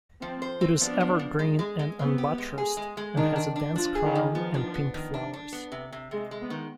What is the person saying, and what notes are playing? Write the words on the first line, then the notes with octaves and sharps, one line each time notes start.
It is evergreen and unbuttressed and has a dense crown and pink flowers.
F3 C4
C5
C4
F3 B3 D4
F3
F3
G#3
G#3
G#3
B3 C4
G4
G#3
G#4
G#3
G#3
D#3 D4
D4
D4
F3 D4
G#4
D#3
D#3
F3 B3
D4
B3
D#3
D4
D4
B3
C3
C3
C3 G#3
G#3
B3
D#3